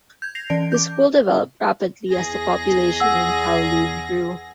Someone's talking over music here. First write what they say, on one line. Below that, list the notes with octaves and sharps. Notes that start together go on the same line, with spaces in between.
The school developed rapidly as the population in Kowloon grew.
G6 G#6
A#6 C7 F7
E3 C#4 D5 A5 D7
D6 G6
E2 G#4 A#6
F#5 E6